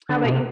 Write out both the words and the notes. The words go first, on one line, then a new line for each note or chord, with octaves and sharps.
How about you?
D3
B2
C3